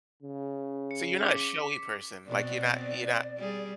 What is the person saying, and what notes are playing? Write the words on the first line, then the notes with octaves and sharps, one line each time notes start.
So, you're not a showy person? Like, you're not you're not
C#3
C#7
D6 B6
B2 B3 C4 D5
G3 G#4